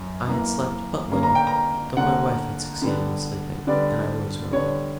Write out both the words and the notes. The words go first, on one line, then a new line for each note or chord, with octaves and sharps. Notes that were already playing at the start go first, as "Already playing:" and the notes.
I had slept but little, though my wife had succeeded in sleeping, and I rose early.
Already playing: F#2
F#2 E3 A#3
D3 A#3 C#4
A#5
G5
A#5
D3 A#3 C#4 F#5
D3 G3 B3 D4
D3 G3 B3 D4 D5
D3 G3 B3 D4 C#5